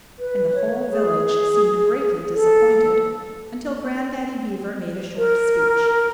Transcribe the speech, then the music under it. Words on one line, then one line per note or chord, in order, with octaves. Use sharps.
And the whole village seemed greatly disappointed, until Grandaddy Beaver made a short speech.
B4
C#5
G#4
A4
A#4